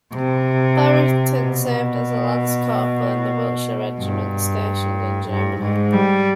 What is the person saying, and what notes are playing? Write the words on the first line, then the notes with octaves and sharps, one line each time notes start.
Barrington served as a Lance-Corporal in the Wiltshire Regiment stationed in Germany.
C3
B2
G2
G2
G#2
G3